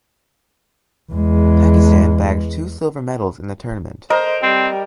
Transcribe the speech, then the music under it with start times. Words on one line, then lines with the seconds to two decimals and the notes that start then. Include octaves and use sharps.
Pakistan bagged two silver medals in the tournament.
1.12 E2 G#3
4.10 A#4 C5 D#5
4.42 G3 C4